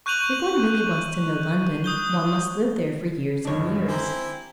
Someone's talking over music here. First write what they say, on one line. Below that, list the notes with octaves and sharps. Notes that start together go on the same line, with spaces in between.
If one really wants to know London, one must live there for years and years.
C#6 F#6 G6 D#7 F7 F#7
D#6 G6 G7
F#1 C#2 A#2 C#3 D4 C#5
C4 E4 G4 G#5 A#5